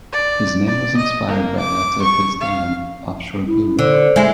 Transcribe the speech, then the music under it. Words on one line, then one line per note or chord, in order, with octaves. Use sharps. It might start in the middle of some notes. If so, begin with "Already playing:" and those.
His name was inspired by that of his dam Offshore Boom.
D5
D5
D#5
A#3
D6
C#6
F5
E4
D3 C5
G#3 E4